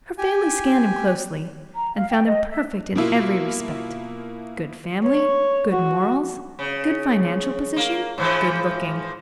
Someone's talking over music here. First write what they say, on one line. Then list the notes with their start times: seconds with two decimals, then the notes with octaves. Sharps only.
Her family scanned him closely, and found him perfect in every respect--good family, good morals, good financial position, good looking.
0.18 G4 G#5
1.75 A#5
1.95 F5
2.09 G5
2.26 D#5
2.49 E5
2.96 B2 A#3 E4 F4
5.05 C#5
5.71 F#4
6.59 C#3
7.76 A#3
8.18 G#2 E3 F3